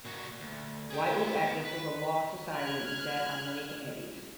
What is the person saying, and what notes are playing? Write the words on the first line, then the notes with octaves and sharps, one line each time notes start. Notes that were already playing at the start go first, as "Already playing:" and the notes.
White was active for the law society and sat on many committees.
A#2 F#4
D2
G#4 G5
B3 E4
B4
F6 F#6 G#6